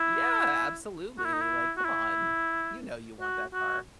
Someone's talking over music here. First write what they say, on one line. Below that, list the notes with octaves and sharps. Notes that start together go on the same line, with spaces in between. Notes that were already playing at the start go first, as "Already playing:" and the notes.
Yeah. Absolutely. Like, come on. You know you want that car.
Already playing: E4
F#4
E4
D#4
E4
F#4
E4
F#4
F#4